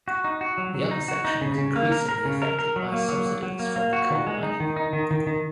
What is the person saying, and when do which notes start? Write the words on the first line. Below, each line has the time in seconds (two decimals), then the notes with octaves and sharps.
The upper section was increasingly affected by subsidence from the coal mining.
0.08 F#4
0.24 D#4
0.41 F#4
0.58 F#3
0.75 F#3
0.91 D#4
1.08 F#4
1.25 D#4
1.41 C#3
1.58 C#3
1.76 A#3
1.92 A#4
2.09 A#4
2.25 C#3
2.42 A#4
2.59 A#4
2.76 F#3
2.92 A#3
3.09 F#3
3.26 F#3
3.43 F#3
3.59 A#3
3.76 A#3
3.93 F#4
4.10 D#3
4.27 G#3
4.43 D#4
4.60 D#3
4.76 D#4
4.93 D#3
5.11 D#3
5.27 D#3